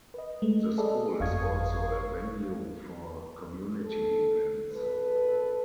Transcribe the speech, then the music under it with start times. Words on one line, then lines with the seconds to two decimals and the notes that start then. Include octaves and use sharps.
The school is also a venue for community events.
0.14 B4 D#5
0.42 G#3 A3
0.78 G#4 A4 B4 D5 D#5
1.20 G1 F2 F5 C#6 D#6 G#6
3.79 A4
4.72 G#1 A4 B4